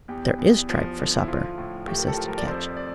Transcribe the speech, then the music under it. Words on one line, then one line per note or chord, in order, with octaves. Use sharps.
"There is tripe for supper," persisted Ketch.
E2 G4
E2
F3
D3
E4
F3 F4
A2
A2 G4
A#4
A4
F3
A#4
D5
F2 C5
D5